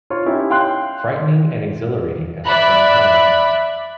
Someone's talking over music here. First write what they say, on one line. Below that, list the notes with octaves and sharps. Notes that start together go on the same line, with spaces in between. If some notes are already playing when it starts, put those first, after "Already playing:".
Frightening and exhilarating at the same time.
F4 C#5
C#4 D#4 E4 G4
F5 G5 C6 F#6
D5 E5 B5 F#6